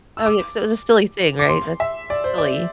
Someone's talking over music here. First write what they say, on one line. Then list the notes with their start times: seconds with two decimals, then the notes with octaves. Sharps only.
Oh, yeah, 'cause it was a silly thing, right? That's silly,
0.17 E6
0.26 D6
1.39 D6
1.49 C6
1.80 E5
2.10 D5
2.24 C5
2.38 D5